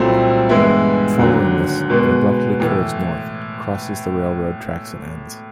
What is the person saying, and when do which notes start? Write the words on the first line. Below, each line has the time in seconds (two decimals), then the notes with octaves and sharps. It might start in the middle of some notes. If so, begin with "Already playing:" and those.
Following this, it abruptly curves north, crosses the railroad tracks and ends.
Already playing: C2 A#2 F#3 A3 C4
0.49 G2 E3 G#3 B3 E4
1.19 D#2 D3 F#3
1.90 B2 G#3 B3
2.60 A2 E3